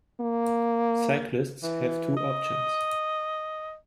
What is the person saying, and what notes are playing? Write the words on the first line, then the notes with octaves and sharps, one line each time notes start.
Cyclists have two options.
A#3
E3
D#5